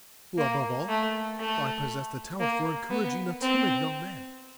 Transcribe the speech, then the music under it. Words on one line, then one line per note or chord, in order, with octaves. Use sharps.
Above all, I possess the talent for encouraging a timid young man.
A#3
A3
A3
A#3
B3
C4